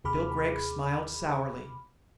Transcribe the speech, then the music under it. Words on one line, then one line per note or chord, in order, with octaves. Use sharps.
Bill Gregg smiled sourly.
D#2 C3 G#4 B5 D6 F6